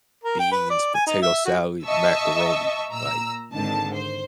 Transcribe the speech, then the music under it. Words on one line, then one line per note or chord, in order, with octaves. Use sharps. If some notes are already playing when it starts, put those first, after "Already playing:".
beans, potato salad, macaroni. Like
A#4
G5
B4
D5
G#5
D#4
E5
F#4
D#5 E5 A5 C#6 E6
A#2 A#5 E6
G#1 G#2 D3 D#3 A5
C5